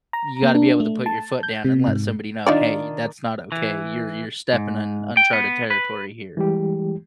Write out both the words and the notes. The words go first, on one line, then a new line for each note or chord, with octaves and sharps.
you gotta be able to put your foot down and let somebody know, "Hey, that's not okay. You're you're stepping on uncharted territory here."
A#5
A#3
D4
A3
A5
G6
C3
G#2
D#3 D4 D#4 F4 D5
E3
G#2
G5
B3
B4
E3 G3 G#3 G4